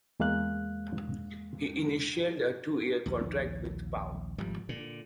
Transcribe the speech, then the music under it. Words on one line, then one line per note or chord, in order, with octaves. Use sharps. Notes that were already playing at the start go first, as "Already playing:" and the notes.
He initialed a two-year contract with Pau.
E2 G#3 A#3 F5 F#6
A#1 D#2
G#1 F3 G3
A#2 D3